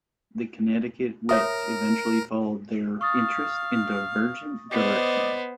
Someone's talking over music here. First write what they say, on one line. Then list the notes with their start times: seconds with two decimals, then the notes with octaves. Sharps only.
The Connecticut Wits eventually followed their interests in divergent directions.
1.29 A#4 C#5 E5 D#6
3.01 F5 C#6 D#6 A6
4.71 B3 C5 D5 D#5